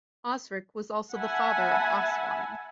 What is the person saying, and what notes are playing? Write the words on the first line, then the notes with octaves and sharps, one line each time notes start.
Osric was also the father of Oswine.
E5 F#5 G#5 A5 B5